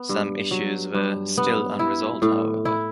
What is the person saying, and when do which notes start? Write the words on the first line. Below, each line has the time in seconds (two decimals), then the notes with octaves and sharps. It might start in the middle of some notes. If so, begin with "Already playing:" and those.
Some issues were still unresolved, however.
Already playing: B3
0.09 G2
0.51 F#3
0.94 G2
1.38 B3
1.79 E4
2.22 A2
2.65 E4